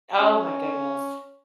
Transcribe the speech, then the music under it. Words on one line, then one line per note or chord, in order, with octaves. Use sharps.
Oh, my goodness.
C#4